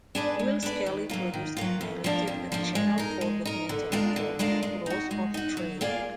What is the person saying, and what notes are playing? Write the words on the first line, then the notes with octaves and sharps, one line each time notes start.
Will Scally produced and directed a Channel Four documentary called "Rose of Tralee".
D4 G#4 B4 D5
G#3
D4 G#4 B4 D5
D#3
F#3 A#3 F4
D#3
F#3 A#3 F4
F2
F3 A#3 D4
F2
F3 A#3 D4
G#3
D#4 A#4
G#3
D#4 A#4
D3
G#3 D4 F4 A#4
D3
G#3 D4 F4 A#4
G#3
D#4 F#4
G#3
D#4 F#4
F#3
A#3 F4 G#4 D5